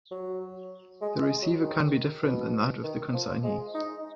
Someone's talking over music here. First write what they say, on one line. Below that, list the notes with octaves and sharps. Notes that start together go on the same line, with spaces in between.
The receiver can be different than that of the consignee.
F#3
G#3
G#3
F#3
D#3
B2
D#3
F3
G#3
D#4